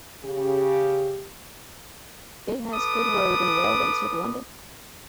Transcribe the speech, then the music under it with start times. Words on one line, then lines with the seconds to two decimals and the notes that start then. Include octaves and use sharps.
It has good road and rail links with London.
0.23 C#3 G4
2.73 A4 B4 D6 D#6